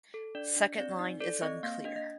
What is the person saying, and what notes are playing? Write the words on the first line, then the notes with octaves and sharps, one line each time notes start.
Second line is unclear.
A4
D4 D5
D4
C4 D5
D#4
A4 D5
C4 D#5
A#3 F5
D4 D#5
D#5